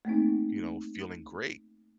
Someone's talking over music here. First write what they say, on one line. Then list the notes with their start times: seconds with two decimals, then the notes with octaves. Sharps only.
you know, feeling great
0.05 A3 A#3 C4 D#4